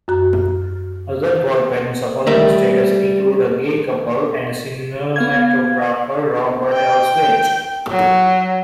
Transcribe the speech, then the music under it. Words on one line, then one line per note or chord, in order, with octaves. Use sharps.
Other godparents of unknown status include a gay couple and cinematographer Robert Elswit.
F#2 F#4 A#5
G3 A3 A#4 E5
B3 F5 G#6
G5
F#3